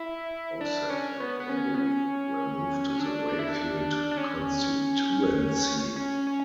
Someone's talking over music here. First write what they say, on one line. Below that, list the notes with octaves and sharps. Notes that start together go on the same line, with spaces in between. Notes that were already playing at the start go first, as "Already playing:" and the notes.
Ossett and Horbury were moved to the Wakefield constituency.
Already playing: E4
D4
C#4
B3
B3
C#4
B3
C#4
C#4
D4
D4
E4
D4
D4
C#4
C#4
C#4